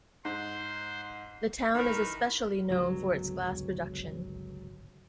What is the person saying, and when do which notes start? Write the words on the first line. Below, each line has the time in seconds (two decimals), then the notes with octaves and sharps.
The town is especially known for its glass production.
0.25 G#2 C5
1.75 D#3 E3 A#4 B4
2.69 G1 C#2 F#3